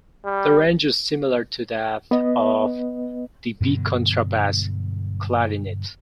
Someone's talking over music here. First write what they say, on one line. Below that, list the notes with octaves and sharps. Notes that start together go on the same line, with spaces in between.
The range is similar to that of the B contrabass clarinet.
G3
B3 B4 D#5
G2 B2 D3 F#3